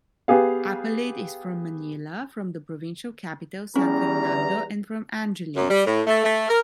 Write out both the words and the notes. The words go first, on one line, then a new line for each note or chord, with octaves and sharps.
Apalit is from Manila, from the provincial capital, San Fernando, and from Angeles.
B3 G4 G#4 F5
E2 G3 C#4 A#5
F#2
G3
A2
A3
A3
A#4